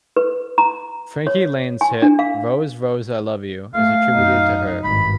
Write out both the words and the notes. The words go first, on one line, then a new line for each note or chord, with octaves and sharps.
Frankie Laine's hit "Rose, Rose, I Love You" is attributed to her.
B4
A#5
C#5
G#5
D4
F5
A3 F5
F#2 D#4
G#1 G2 B5